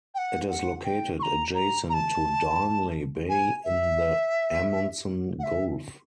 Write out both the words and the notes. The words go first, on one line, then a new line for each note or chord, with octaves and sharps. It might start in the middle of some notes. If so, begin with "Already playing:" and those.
It is located adjacent to Darnley Bay, in the Amundsen Gulf.
G5
F#5
F#5
G5
C#6
A#5
A#5
A#5
A5
G#5
E5
F#5
E5